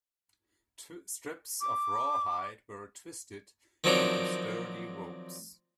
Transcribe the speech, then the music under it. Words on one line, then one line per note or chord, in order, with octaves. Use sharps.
Strips of rawhide were twisted into sturdy ropes.
D6
D#3 F3 F#3 C4 D4 D#4